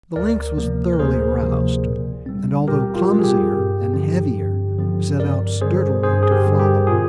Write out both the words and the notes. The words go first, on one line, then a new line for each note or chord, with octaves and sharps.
The lynx was thoroughly aroused, and although clumsier and heavier, set out sturdily to follow.
D2 A#4 D5
C3 F3 A#3
A#4
D2 G#4 C5
C3 F3 A#3
A#2
G3 C4
A#2 G4 A#4
F4
G3 C4
G#4
G4
G2
D3 F3 C4
G2
D3 F3 C4
G2 A#4 D5
D3 G3 C4 G#4 C5
G2 G#4 C5
G#4
G4 A#4
D3 G3 C4
G4
A#2 F4 G#4